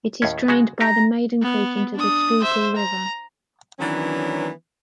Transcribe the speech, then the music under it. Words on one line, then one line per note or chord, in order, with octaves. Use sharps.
It is drained by the Maiden Creek into the Schuylkill River.
D#2 A2 C#4
C#3 G#3 F#4
D#4 G4 A#5
B3
D4 D#6
C5 E5
A#5
D#3 E3 F#3 B3 C#4 D4